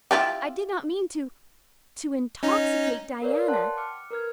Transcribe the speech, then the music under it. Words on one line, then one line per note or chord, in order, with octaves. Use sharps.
I did not mean to--to--intoxicate Diana.
E4 F4 G4
C#4 D#4
A#4 B4 C#5 D5 F5
F#5 G5 A5 C6 F#6
D6 F6 C#7
A#4 B4 F6 G#6